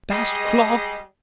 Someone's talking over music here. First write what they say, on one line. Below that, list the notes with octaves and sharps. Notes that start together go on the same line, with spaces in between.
Bast cloth.
G3 G#3 G#4 D#5